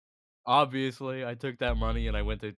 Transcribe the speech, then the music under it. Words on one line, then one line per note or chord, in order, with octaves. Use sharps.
obviously, I took that money and I went to
G#1